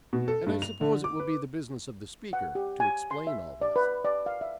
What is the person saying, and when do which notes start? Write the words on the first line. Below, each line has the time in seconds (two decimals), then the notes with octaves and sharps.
"And I suppose it will be the business of the speaker to explain all this."
0.13 B2
0.28 A4
0.47 G2
0.62 F7
0.81 D3
1.04 D6
1.20 B4
2.33 F#5
2.55 G4
2.80 G#5
3.11 C6
3.27 E5
3.61 D5
3.76 B4
4.05 D5
4.26 F5
4.41 E5